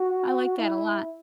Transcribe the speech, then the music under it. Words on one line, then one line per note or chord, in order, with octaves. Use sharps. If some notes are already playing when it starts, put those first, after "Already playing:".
I like that a lot.
Already playing: F#4
E4